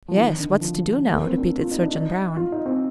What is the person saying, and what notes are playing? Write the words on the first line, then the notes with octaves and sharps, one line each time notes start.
"Yes, what's to do now?" repeated Sergeant Brown.
F3
D#3
D3
F3
A3
A#3
C4
D4
F4
D#4
D4
D#4
F4
D#4
C4